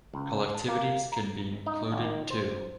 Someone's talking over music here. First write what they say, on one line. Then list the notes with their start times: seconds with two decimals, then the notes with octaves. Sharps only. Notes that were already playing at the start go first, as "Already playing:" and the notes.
Collectivities can be included too.
0.14 C#2
0.55 A5
0.68 A#3
1.12 A#5
1.66 D#4
1.92 G#1
2.04 D#3
2.30 C5